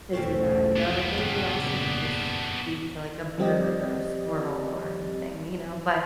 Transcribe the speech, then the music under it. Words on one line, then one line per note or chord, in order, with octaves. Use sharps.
to do that, you know, like it would be awesome to just speak to like a bird or a squirrel or anything, you know? But
B1 E2 G2 A3 C4 C#4
B3 D4
F1 G2 A#2 C#3
F3 G3 C4 G4 D5 D#5